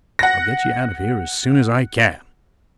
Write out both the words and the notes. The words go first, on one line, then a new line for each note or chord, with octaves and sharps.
I'll get you out of here as soon as I can.
F#5 A#6